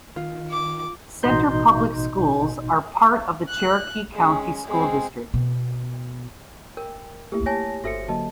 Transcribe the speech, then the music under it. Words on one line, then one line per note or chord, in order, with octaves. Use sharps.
Centre Public Schools are part of the Cherokee County School District.
D#3 F4
D6
A1 B2 D#4 D#5 C6 G6
F#6
G#3 C#4
G#3 C4
B2
A#4 G5
A3 A#3 E4 G4
C#5 G#5 A5 A#6
G1 F#4 A4 C5 E5 A#6 C#7
D3 F#3 A#3 D#5 A5